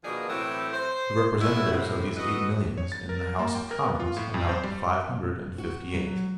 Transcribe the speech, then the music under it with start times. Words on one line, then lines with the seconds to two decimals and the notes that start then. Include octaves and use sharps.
The representatives of these eight millions in the House of Commons amount to five hundred and fifty-eight.
0.04 B2 D#3 F3 A#3 D4 G#4
0.28 A2 E3 F#3 A3 C4 G4
0.73 C5
1.41 F#3 G#3 B3 C#4 E4
1.71 A2 C3
2.17 F#4 A4 B4 D#5
2.78 C#5
2.92 A6
3.09 A#4
3.39 A#3
3.55 G5
3.71 A#4
3.85 B3
4.00 F4
4.17 A2
4.34 F2
4.49 C5
4.64 G3
5.58 F#4
5.94 F#3